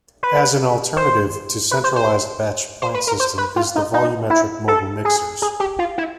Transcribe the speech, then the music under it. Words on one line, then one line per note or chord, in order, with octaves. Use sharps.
As an alternative to centralized batch plant system is the volumetric mobile mixers.
B4
C5
B4
C5
C5
C5
B4
A#4
C5
B4
F4
D#4
D#4
E4
A4
G#4
G#4
G4
F4
E4